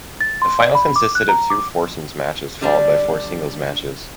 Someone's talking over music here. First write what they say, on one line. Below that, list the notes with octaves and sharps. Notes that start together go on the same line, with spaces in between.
The final consisted of two foursomes matches followed by four singles matches.
A6
C6
D5
B5
D6
F#6
A#5
D6
D3 G3 D4